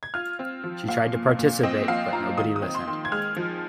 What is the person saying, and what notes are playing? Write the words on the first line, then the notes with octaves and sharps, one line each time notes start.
She tried to participate, but nobody listened.
G#6
F4 F6
C4
F3
A#2 F5
A#2
A#2
C4 D#5
F3 F5
F4 A#5
D#3 D#6
D#6
C4
C6
D#3
G#6
G#3 F6
F3